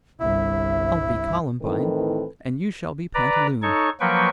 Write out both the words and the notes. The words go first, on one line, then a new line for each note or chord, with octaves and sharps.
"I'll be columbine and you shall be pantaloon."
G1 C2 E4 E5
A2 D#3 E3 C4 A4 B4
B4 D5 A#5
D#4 A4 C#5 C#6
F3 F#3 A#3 B4 G5 C#6